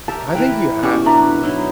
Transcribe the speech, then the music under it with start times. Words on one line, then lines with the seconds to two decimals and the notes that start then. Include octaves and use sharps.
I think you have to,
0.08 G4 A#4 E5 A5
0.35 E3 A#4 B4 G5
0.83 B2 C#4 G4 D5 C#6
1.06 D4 B4 E5 A#5
1.43 F#3 D#4 E4